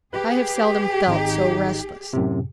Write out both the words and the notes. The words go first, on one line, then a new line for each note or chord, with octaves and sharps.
I have seldom felt so restless.
G4 G#4 B4
G#1 D#4
F#2 A2 C3